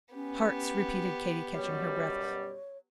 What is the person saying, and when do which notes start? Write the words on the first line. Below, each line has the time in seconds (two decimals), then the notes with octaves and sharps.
"Hearts," repeated Katy, catching her breath.
0.14 B3 C#4 G4
1.55 F#2 B2 G3 C#5